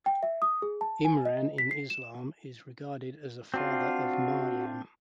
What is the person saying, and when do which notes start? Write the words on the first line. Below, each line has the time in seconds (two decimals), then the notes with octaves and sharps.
Imran in Islam is regarded as the father of Maryam.
0.06 G5
0.23 E5
0.42 D#6
0.62 G#4
0.81 A5
1.05 G#5
1.25 D#5
1.58 B6
1.71 C7
1.90 E7
3.54 C4 D4 F4 F#4